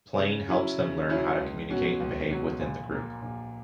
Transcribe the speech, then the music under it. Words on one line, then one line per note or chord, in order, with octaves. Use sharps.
Playing helps them learn how to communicate and behave within the group.
C#3
F#3 C#4 E4
C#3
F#3 C#4 E4
C#2
B2 F#3 C#4 F#4
C#2
B2 F#3 C#4 F#4
A#1
A#2 A#3
A#1